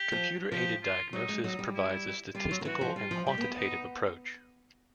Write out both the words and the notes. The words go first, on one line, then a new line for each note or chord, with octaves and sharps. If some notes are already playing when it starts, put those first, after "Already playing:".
Computer-aided diagnosis provides a statistical and quantitative approach.
Already playing: G4
F3
F3 G4
F4
F#3 D#4
G#3
F#3 D#4
G3
E4
G3 F4
F#3
D#3
E3 F#4
F3
G3 F4
F3
G3 G4
A#3
B3
D#4